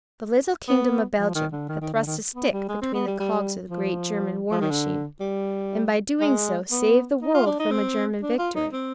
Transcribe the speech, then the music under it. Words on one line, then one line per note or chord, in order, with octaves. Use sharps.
The little Kingdom of Belgium had thrust a stick between the cogs of the great German war machine, and by doing so saved the world from a German victory.
B3
F3
D#3
D3
D#3
D#3
D3
D#3
B3
G3
G#3
C4
B3
G3
G3
F3
F3
D#3
D3
G3
G#3
B3
D#4
F4
D4
D#4
C4
D4
F4
D#4
C4